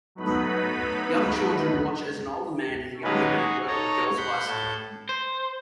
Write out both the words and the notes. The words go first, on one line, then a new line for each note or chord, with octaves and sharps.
Young children watch as an older man and a younger man work on a girls bicycle.
F#3 A3 B3 D#4 B4 B5
D#3 F#3 G#3 A#3 C#4 B4
D#4 F#4 G#4
D#4 A4 C#5 A5 A#5
F#5 B5 C6 G6
A2 A4 G6
C5